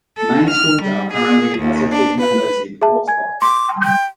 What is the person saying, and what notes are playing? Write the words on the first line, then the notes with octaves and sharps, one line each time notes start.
Nine schools are currently Associate members in four sports.
A4
F6
G3
G#4
D#2
D4
B4
G#4 E5 A5
G#5 G#6
C6 D6
G5